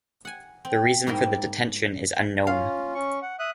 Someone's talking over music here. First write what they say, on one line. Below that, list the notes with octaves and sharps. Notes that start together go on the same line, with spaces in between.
The reason for the detention is unknown.
F#5 G#5
C4
G#2 G3 A#3 E4 A#4 C6
C#4 F4 F5
C#4 C#6
F#5
E5 D#6 F#6